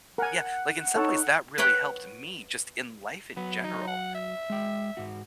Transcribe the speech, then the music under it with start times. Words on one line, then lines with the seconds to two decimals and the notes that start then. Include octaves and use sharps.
Yeah, like, in some ways, that really helped me just in life in general,
0.18 A#4 F#5 G#5
0.95 D#4 A4 C#5
1.58 B4 C#5 F#5 G5 B5
3.37 F#3 B3
3.64 D#4
3.87 F#5
4.15 E5
4.50 G#3 G5
4.97 G#2 F#4